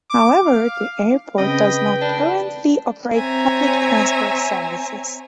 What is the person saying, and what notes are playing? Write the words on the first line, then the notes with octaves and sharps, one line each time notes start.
However, the airport does not currently operate public transport services.
D6
F5
C#3 C4 B4 D#5 G5
D4
C4 C#5 E5 G#5 A#5